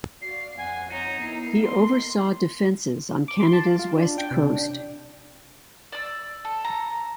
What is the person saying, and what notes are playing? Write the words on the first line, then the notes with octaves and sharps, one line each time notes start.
He oversaw defences on Canada's West Coast.
F#4 D5 F5 C7
F2 C4 F#5 G#5
D#4 C#5 A#5
B3 E4 A#4 D#5 C7
C6
D6
C6
A5
F4
F4
D4
G5
C3
D4
D5 E6
A4
A#5